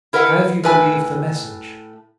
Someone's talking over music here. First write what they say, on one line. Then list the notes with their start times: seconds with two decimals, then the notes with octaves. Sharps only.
Have you believed the message?
0.13 E4 A#4 B4 D#5 F#5
0.64 A2 B4 G#5